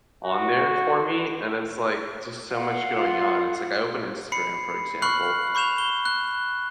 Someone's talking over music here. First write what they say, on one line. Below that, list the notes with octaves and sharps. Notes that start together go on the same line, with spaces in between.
on there for me and it's like just so much going on and it's like I open Instagram for example,
F#4
F5 F#5
F4
B5 C7 C#7
B5 C#6 F6 F#6 C7 F#7
B5 C#6 G6 E7 F7
G7
F#6